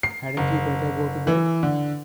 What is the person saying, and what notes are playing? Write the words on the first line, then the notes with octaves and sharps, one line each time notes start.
Hadn't you better go to bed?
C7
F#1
E3
D3